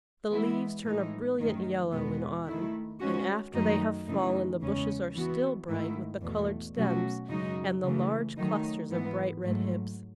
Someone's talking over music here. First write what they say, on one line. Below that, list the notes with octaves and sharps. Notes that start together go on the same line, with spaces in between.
The leaves turn a brilliant yellow in autumn, and after they have fallen the bushes are still bright with the coloured stems and the large clusters of bright-red hips.
E3 G#3 B3 E4
A2 E3 G#3 D#4
F#2 D#3 A3
E2 B2 G#3 B3
D#3 A3 E4
D#3 G#3 C#4 F#4
F#2 D#3 F#3 A3 D#4
F#2 C#3 E3 A3 D#4
E2 C#3 G#3 C#4
E3 B3 F#4
G#2 D#3 A3 E4
E2 B2 A3
B2 F#3 A3 C#4 F#4
F#2 C#3 G#3 D#4 F#4
C#3 E3 A3
D#3 F#3 A3 D#4
G#2 E3 B3
G#2 F#3 A3